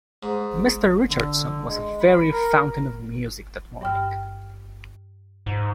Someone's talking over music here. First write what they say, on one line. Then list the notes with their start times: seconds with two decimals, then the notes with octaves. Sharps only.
Mr. Richardson was a very fountain of music that morning.
0.23 G#2
1.09 D3
1.68 G#3
2.00 B5
2.32 A#4
3.81 G2 G5 F6
5.46 G#2